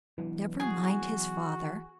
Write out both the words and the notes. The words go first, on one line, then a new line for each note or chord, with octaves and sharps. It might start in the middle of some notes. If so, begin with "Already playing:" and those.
"Never mind his father."
E3 F#3 B3 D4
F#4 G#4